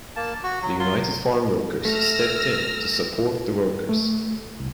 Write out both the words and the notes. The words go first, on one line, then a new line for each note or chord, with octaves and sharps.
The United Farm Workers stepped in to support the workers.
A#3 A5
F#4
F#3
F#3 F4 C6
A3 E6 F6 A#6
A3
C2